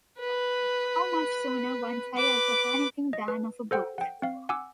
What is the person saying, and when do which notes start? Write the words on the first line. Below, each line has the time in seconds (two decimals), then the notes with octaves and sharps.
How much sooner one tires of anything than of a book!
0.19 B4
2.16 B4 D6
3.13 D#5
3.28 B4
3.71 A4 C5 F#5 G5
3.98 F#5 G5
4.22 C4 F5
4.49 F#5 G#5 D6 E6